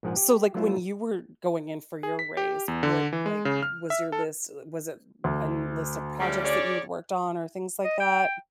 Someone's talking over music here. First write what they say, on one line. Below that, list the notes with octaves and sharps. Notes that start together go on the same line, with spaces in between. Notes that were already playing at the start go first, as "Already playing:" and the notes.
So, like, when you were going in for your raise, what, like, was your list, uh was it an list of projects that you had worked on, or things like that?
A#1 G#2 F3 A#4 F#5 G#5
G4
F#3 A3 B3 E4 F4 E5
G#4
B6
G4
E2
D3
E3
G#3
C#3
F6
E5
A4
D2
C#3 G3
C#3 C#5 D5
D#5
G5